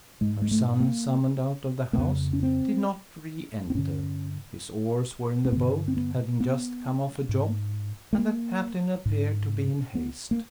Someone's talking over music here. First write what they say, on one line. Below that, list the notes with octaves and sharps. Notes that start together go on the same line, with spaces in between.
Her son, summoned out of the house, did not re-enter; his oars were in the boat, having just come off a job; and the Captain appeared to be in haste.
G#2 G#3
G#3
A3
A#3
A#3
F2 C#3 B3
C#4
C4
C4
G2 D3 C#4
C4
G2 D3 B3
C4
B3
B3
G#2
A3
A#3
G#2
B3
A#3